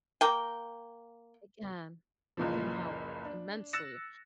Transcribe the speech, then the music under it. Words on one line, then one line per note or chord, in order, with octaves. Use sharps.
Again, it can help immensely,
A#3 G5
F#1 C#2 A#2 E3 F3
D4
E6 F#6 A6 A#6 C#7 E7